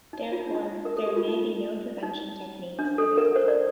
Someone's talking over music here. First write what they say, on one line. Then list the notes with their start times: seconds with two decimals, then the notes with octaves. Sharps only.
Therefore, there may be no prevention techniques available.
0.13 D#4
0.32 F4
0.40 D#4
0.47 D4
0.54 D#4
0.85 A#4
0.97 A4
1.06 G4
1.16 F4
1.28 D#4
2.03 D#4
2.79 D4
2.98 A4
3.18 A#4
3.36 C5
3.48 D5